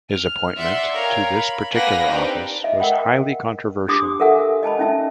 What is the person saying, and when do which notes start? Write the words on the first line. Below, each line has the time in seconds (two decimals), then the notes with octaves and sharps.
His appointment to this particular office was highly controversial.
0.11 F6
0.57 D5 E5 F#5 C6
0.93 A#4 C#5 F5 G5
1.33 B5
1.72 A#3 B4 F#5 G#5 B5 A#6
2.08 C4 D4 D#4 G4 A#4 B4
2.64 D#5 E5
2.80 A#4 D#5 F#5 G5 B5
3.88 D4 G4 C6 D6 D#6
4.20 A4 A#4 E5 F#5 G#5
4.63 D#5 G#5 A5 B5
4.79 C#4 D#4 E5 A5